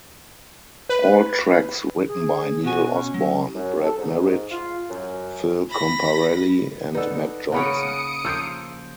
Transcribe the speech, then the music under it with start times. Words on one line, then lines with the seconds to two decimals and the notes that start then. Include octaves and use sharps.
All tracks written by Neil Osborne, Brad Merritt, Phil Comparelli and Matt Johnson.
0.89 B4
2.07 G#4
2.64 B2 F#4 G#5
2.91 C#4
3.14 F#3
3.55 F#2
3.84 A4
3.98 G#2
4.51 F4
4.89 F#2
5.69 B5 A#6
6.95 D#4 A4 B4 D5 F#5
7.52 C#3 A#3 C#4 F#5 B5 D#6 C#7 D7
8.25 F3 A#3 E6 G6 C7